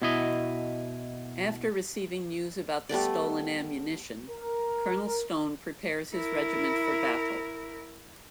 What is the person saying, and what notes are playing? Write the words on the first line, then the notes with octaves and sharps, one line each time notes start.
After receiving news about the stolen ammunition, Colonel Stone prepares his regiment for battle.
B2 E4 D#5
G3 A3 B3 D5
A#4
E4 A#4